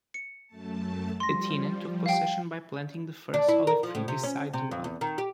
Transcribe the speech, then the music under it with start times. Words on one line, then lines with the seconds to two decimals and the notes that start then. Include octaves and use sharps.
Athena took possession by planting the first olive tree beside the well.
0.14 C#7
0.47 F#2 A3 A5
1.20 F3 G3 C6 A#6
2.06 F5 G5
3.34 D4
3.49 E4
3.67 A#4
3.83 F3
3.95 A2
4.08 C3
4.23 C#4
4.53 C3
4.71 F2
4.84 E2
5.01 D#3
5.18 G4